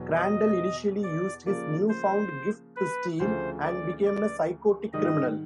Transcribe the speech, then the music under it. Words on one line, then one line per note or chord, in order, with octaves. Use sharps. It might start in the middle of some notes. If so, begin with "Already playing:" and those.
Crandell initially used his newfound gift to steal, and became a psychotic criminal.
Already playing: E2 B2 F#3
D#5
D5
C#3 F3 A#3 D5
C5
B4
D2 C#3 F3 A3 C5
D5
D5
G#2 D#3 G3 D#5